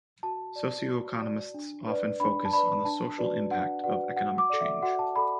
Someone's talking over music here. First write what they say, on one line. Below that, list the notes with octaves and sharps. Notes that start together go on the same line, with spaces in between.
Socioeconomists often focus on the social impact of economic change.
F#4 A5
D5
F#4
D5
D4
B4 D5
D4 B5
A5
B4 D5 B5
D4 A5
F#4 B4 D5
D4 F#5
F#4 B4 D5 F#5
F#4 F#5
D6
A4 D5
E5
F#4 F#5
A5
A4 D5 B5